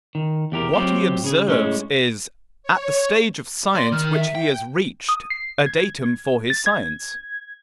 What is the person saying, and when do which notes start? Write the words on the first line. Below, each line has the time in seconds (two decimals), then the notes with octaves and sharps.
What he observes is, at the stage of science which he has reached, a datum for his science.
0.15 D#3
0.52 E2 G4 A#4
0.74 F#3 C4 F4 G4
1.24 C#3 G#4
1.47 A2 G#3 C#4
2.63 C#5
3.75 D5 C6
3.92 D#3 F6
4.13 E5
4.35 G5
5.09 D#6
5.30 C7
5.66 G#6
6.50 A6
6.66 G#6